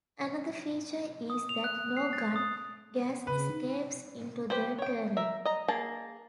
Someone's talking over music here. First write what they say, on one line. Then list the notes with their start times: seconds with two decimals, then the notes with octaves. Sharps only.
Another feature is that no gun gas escapes into the turret.
1.30 D#6
1.49 F7
1.64 F#6
1.97 C7
2.13 A6
2.36 D#6
3.27 C#3 B4
3.52 D#4
4.50 G4 B4 C5
4.78 C#5 G5
5.17 A#4 E5
5.45 D#5 A#5
5.68 A#3 G#4 A5